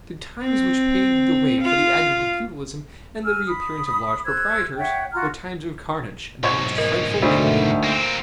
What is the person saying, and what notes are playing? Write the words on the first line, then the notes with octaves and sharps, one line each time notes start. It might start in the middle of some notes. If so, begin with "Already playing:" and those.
The times which paved the way for the advent of feudalism and the reappearance of large proprietors were times of carnage and the most frightful anarchy.
C4
F4
G#5 E6 F6
B5 D#6
C5 E6 F#6 G#6
C#5 E5 F#5 G5
F4 F#4 A#5 F6
B1 G#2 C#5
A#4 D#5
D2 D3 D#3 A3 F#4 C5
A#3 C4